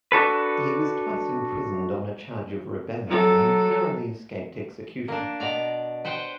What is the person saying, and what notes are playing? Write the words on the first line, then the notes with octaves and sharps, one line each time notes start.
He was twice imprisoned on a charge of rebellion, and narrowly escaped execution.
D4 F#4 A4 B4
F#3 A4
A#3 D4
B2 D5 A#5
B4 C5 F#5 G5